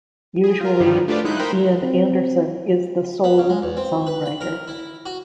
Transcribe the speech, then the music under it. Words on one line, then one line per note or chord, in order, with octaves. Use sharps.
Usually Ian Anderson is the sole songwriter.
G#4
F4 A#4
G2 D3 D#3 F3 G3
A3 D4 F4 G4 B4 D5
F#3 G#3 D#4 E4 F#6 G6
D#4 A#4 C5 G5 B5
C4
B3
C#3
G#3
E2
C4
B4
B5
A#4
E4
F#4